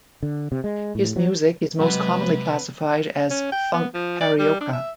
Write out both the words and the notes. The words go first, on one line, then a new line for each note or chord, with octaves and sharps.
His music is most commonly classified as funk carioca.
D3
C3
G#3
A2
F#3
C3 F#3 G#3 B4
C#4
G5
B3
F3
D5
G3
D4
E5